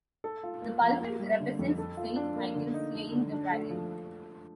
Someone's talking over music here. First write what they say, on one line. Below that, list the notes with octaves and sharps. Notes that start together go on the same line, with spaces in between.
The pulpit represents Saint Michael slaying the dragon.
A4
F4
A#3
F3
A#3
G3
D3
F2
A4
F4
D4
A#3
D3
D#4
A3
D3
D4
A3
F3